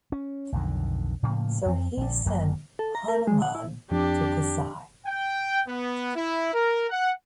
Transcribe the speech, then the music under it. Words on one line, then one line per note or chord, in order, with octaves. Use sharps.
So he sent Hanuman to Kasi.
C#4
B1 F2 D3 D#3
A2 C#3 F3 A#3
F2 C4
A#1 D3
G1 F#2 F#3 A#3
A4
A#5
A#4
G#3
F#5
E4
F2 F3 C4 D4 G4
G5
B3
E4
A#4
F#5